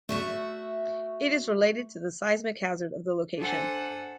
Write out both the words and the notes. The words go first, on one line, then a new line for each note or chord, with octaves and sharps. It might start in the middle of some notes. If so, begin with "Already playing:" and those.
It is related to the seismic hazard of the location.
A3 F#4 E5
D4 A4 C5 F#5 G#5